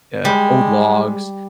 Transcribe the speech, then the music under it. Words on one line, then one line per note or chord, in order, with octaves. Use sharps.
uh, old logs,
G3 G#3